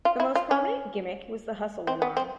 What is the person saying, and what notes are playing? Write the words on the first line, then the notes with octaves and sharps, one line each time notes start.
The most prominent gimmick was the Hustle Alarm.
F4
E4
F4
C#4
C4
B3
C4